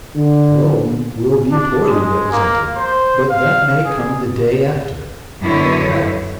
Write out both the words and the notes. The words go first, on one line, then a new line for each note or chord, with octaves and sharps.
Rome will be poorly represented, but that may come the day after at Bath.
D3
D4
G#3
A#3
C5
F5
G#4
F#2 B2 D3 E4 C#5